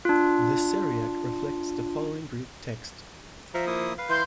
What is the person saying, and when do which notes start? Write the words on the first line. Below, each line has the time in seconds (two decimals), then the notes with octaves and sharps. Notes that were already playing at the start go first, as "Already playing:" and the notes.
The Syriac reflects the following Greek text.
0.05 D4 F4
3.54 F3 E5 A#5
3.67 A#3 E4 D#6
3.98 B4 F5
4.09 E3 C6 G6